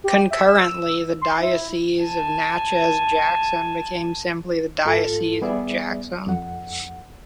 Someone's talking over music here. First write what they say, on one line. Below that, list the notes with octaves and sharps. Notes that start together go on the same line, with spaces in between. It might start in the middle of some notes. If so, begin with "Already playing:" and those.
Concurrently, the Diocese of Natchez-Jackson became simply the Diocese of Jackson.
G4
E5
E6
C6
E4
G#5 A5
G#2 F4 A4
G3 B3 G#4 D5 E5
F2 F#5